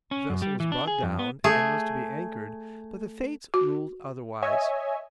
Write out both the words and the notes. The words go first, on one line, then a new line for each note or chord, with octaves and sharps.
The vessel was brought down, and was to be anchored, but the Fates ruled otherwise.
C#4
F#2
G3
E3
D4
G#4
F2
B3
A3 G#4
F#4
C#5 D#5 E5 G#5